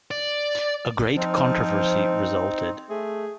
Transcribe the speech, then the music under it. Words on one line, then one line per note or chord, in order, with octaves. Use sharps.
A great controversy resulted.
D5
F3 C4 D#4
A3 G#4